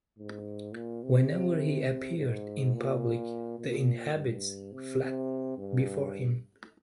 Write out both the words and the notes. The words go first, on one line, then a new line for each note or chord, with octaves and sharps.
Whenever he appeared in public, the inhabits fled before him.
G#2
A#2
C3
G#2
A#2
A#2
G2
C3
C3
G2